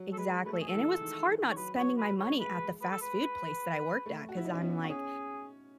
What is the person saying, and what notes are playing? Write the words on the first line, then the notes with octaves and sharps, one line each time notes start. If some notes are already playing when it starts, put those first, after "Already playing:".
Exactly. And it was hard not spending my money at the fast food place that I worked, 'cause I'm like,
Already playing: F#3
A4
G#3 B4
A3 B4
A4
G#4
A4
E3
D#3
E3
C#5
F#3 B4
F#3 C#5
B4
A3 C#5
G#3 B4
B4
A4
B4
A3
F#4
E4
D#4
C#4
B3
F#4
C#4 G#4